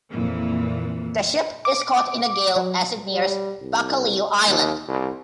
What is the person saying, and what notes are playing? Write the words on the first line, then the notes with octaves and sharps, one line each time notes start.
The ship is caught in a gale as it nears Baccalieu Island.
F2 A#2 E3
D6
F#3
G3
C2
D#2
C2